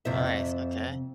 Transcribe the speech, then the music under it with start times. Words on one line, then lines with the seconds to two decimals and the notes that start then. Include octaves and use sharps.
Nice, okay.
0.05 F2 C3 E5